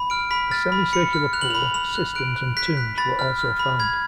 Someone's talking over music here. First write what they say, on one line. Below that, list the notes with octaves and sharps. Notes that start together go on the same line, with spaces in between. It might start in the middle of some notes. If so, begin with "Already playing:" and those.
A semi-circular pool, cisterns and tombs were also found.
Already playing: B5
F6 D7
B5 B6
F6 A6
B5
B5 C#7
F6
F#6 F7
F#7
B5 F7
B5 F7
F#6
F#6 D7
F#6
F#6 B6
F#6
B5 A6
F6
F6
B5
B5 G#6